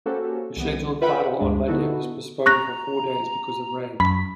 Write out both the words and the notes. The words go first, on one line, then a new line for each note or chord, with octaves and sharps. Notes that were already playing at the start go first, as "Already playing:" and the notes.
The scheduled final on Monday was postponed for four days because of rain.
A#3 C#4 F#4 G4 A4 C5
C2 E3 B3 D#7
F4 B4 E5 F#5 G5 B5
D2 G2 G#3 D4
D3 B3 D#4 E4 F#4 A4
A#5 C#6 F#6 A#6
F#2 B5 B6